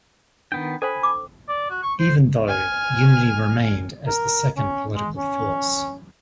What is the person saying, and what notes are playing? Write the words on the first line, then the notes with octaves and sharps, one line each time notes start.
Even though, Unity remained as the second political force.
D#3 B3 D4 G5
A4 C5 G5 G#5 B5
D6
D5
F#4
C#6
C5
G#5 F6
A#4
C#4
G#3
C#4